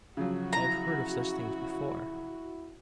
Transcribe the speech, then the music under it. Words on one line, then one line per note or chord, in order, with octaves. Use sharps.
I have heard of such things before.
C#3 F3 F#3 F#4
E4 A#5